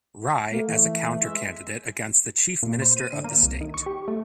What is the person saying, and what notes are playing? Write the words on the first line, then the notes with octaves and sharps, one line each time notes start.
Rai as a counter-candidate against the Chief Minister of the state.
A3 A#3
E3 A3
G#3 E5
A#2
C5
D#7
D3
A#3
C2
D#3
C#6
G4
A3